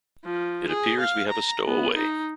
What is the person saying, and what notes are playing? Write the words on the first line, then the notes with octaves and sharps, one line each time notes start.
It appears we have a stowaway.
F3
G#4
F5
A#5
B3
D#4